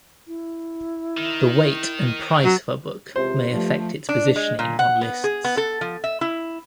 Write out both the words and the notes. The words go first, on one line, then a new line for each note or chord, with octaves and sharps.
The weight and price of a book may affect its positioning on lists.
E4
D#3
F#3
C#2 C3 C5
G2 F3 A3
D4
G#3
A#2
F#5
B3
G#4
B3
A4
F3
E5
E4